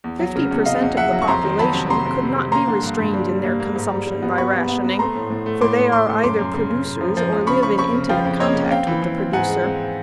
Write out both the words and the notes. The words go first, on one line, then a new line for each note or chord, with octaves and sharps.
Fifty per cent of the population could not be restrained in their consumption by rationing, for they are either producers or live in intimate contact with the producer.
E2
F#3
C#3
E2
C#3 D#5 F5
E2
E2 E5 F#5
F#3
C#6
F2 A#5 C6
D#3
F#3 A5 B5
C3
C3 A#5 C6
F2
C3
C3
A#3 A#5 C6
D3
G2
G2
G3
G3
A#3
A#3
G#2
G3
G3
B3
B3 B5 C#6
B3
B3
B3
A3 A#5 C6
A2
A2
A3
A2 C6 D6
A2
A3 C6 D6
A3
F#2 C6 D6
F#2
C#3
C#3
C#3
F3
F3
F3
C#3 B5 C#6
F3 B5 C#6
F2 B5 C#6
C#3
F3 F5 G5
F2
A#3 C#5 D#5
C#3
C4 F5 G5
E3
E3
C4
G#2 F#5 G#5
G#3
C4